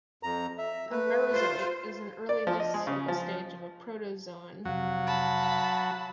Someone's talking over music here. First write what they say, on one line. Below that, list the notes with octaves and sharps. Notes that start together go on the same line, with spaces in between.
A merozoite is an early lifecycle stage of a protozoan.
F2 A#5
E5
A3 B4
F4 C5
D5
F3
D#5
G#3
C#3
F3
F2 C3 F#3 F5
A5 B5